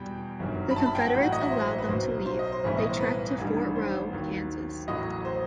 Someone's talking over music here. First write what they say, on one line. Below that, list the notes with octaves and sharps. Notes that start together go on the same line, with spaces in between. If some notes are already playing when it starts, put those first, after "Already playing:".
The Confederates allowed them to leave; they trekked to Fort Row, Kansas.
Already playing: E2 B2 G3 G5
G1 F#2 D#3 F#3
B5
A5
B5
G5
F#5
A1 A2 F#3 G5
F#5
D#5
E5
C5
B4
B1 B2 F#3 C5
C5
D#5
C5
B1 A2 E3 G3 E5
D#5
C5
B4
A1 G2 D#3 G3
C5
D#2 D#3 F#3
A1 A2 F#3 D#5
C5